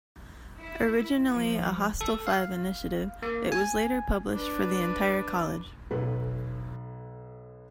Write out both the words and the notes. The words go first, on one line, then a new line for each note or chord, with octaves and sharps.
Originally a hostel-V initiative, it was later published for the entire college.
E4
F3
A4
F5
A#3
G#5
D4 B4
B1 A4 B4